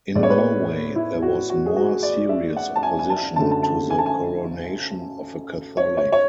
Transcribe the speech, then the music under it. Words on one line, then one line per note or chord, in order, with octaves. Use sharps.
In Norway, there was more serious opposition to the coronation of a Catholic.
A2 G#3 B3 D5
C#5
B4
C#5
E4
F#4
F#4
G#4
F#4
D5
E5
F#5
A5
G#5
G#5
A5
F#2 D3 A3 A5
A5
A5
G#5
A5
G#5
C#5
C#5
C#5